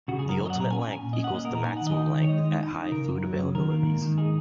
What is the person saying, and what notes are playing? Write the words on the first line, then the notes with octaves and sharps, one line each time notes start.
The ultimate length equals the maximum length at high food availabilities.
C#3 F#4
G#4
F#2 A#4
F#3 C#5
D#5
F#5
A#2
A#5
C#4 G#5
G#5
C#4
G#5
A#2
D#5
C#4
F#5
A#3 D#5
A#4
A#2
A#5
D#4 G#5
F#5
D#3
D#5
D#4
D#3
C#5
G#3 D#5
D#4
D#4
D#4
C#3 A#4
F#2
F#3
C#3
D#3 A#4
A#3
G#2
D#3
D#4 G#4